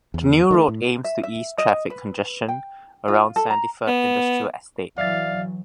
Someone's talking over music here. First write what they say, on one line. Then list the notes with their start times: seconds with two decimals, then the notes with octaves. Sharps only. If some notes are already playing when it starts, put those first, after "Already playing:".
The new road aims to ease traffic congestion around Sandyford Industrial Estate.
0.14 E2
0.51 D#3 F#3 A3
0.68 A2
1.04 E5
1.23 E5
1.58 D#5
1.90 B4
2.49 G5
3.08 F4
3.36 A4
3.50 A#5
3.87 B3
4.98 E3 F#3 D5 E5 F5 A6